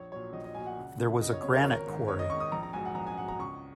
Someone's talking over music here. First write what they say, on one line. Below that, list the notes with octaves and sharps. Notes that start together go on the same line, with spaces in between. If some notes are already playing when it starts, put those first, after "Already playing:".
There was a granite quarry.
Already playing: A#1 C#5
A#2 F#3 C#5
A#1 D#5
D#5
A#2 F#3 G#5
F#5
C#2
C#3 F#3
C#2 D#5
C#5
C#3 F#3 C#5
A#4
G#1 C#5
A#4
G#2 D#3
G#1 C#5
D#5
G#2 D#3 C#6
D#6
A#1 A#5
A#5
G#2 F#3 G#5
F#5
A#1 A#5
G#5
G#2 F#3 F#5
A#5
C#2 C#6